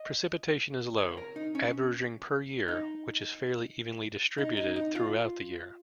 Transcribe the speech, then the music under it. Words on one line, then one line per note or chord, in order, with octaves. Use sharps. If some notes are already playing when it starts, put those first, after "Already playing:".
Precipitation is low, averaging per year, which is fairly evenly distributed throughout the year.
Already playing: D#5
C#5
A#4
D#4
C#4
D#4
D#4
D#4
D#4
F4